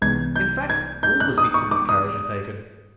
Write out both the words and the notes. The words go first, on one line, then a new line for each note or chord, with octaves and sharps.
"In fact, all the seats in this carriage are taken."
C2 C3 E3 G#3 B3 G#6
G6
G#6
G6
F#6
D#6
C#6
D6
D#6